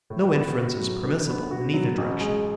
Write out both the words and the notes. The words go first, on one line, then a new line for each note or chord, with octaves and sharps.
No inference is permissible in either direction.
A2
B3
F#4
F#3
D3
B3
F#4
F#3
A1
G#3